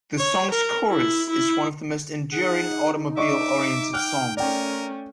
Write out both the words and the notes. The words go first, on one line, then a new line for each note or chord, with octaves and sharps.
The song's chorus is one of the most enduring automobile-oriented songs.
C#5
A#4
E4
E4
D#4 G#4 F#5
D4 D#5 E5 C#6 D6
G5 F6 F#6
A3 C#4 A#4 D5 G5